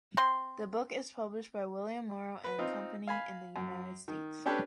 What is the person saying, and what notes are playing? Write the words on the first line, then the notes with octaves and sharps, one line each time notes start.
The book is published by William Morrow and Company in the United States.
C4 C6
B4
C4 D#4 F4
F5 G#5 B5
F#2
D#3
C#4 D4 G4 A4 B4 C#5